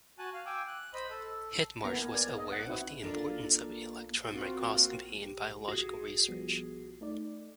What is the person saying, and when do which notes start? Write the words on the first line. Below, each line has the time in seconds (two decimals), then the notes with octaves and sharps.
Hindmarsh was aware of the importance of electron microscopy in biological research.
0.18 F#4 F#5 G#5 A5 F#6
0.34 F5
0.46 G5 G#5 D6 E6
0.67 F#6
0.94 C5 D#5 B5
1.10 A4
1.83 A#3 B3 E4 A#5
1.96 B3 A#4 G#5
2.13 A#4 D5 G#5
2.38 D#5
2.52 F#5
2.67 C4 D#4 E4 F#4 B4
3.03 A#3 D4 F4 A4
4.31 A#3 C4 F4 F#4
5.23 G4
5.68 F#4 G#4
6.28 F3 G3 B3
7.01 A3 D#4 D5